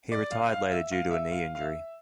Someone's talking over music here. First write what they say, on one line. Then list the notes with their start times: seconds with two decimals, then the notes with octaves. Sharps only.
He retired later due to a knee injury.
0.12 D5
0.31 F5
0.52 F5
0.71 E5
0.92 F5
1.11 E5
1.32 F5
1.55 F5
1.61 E5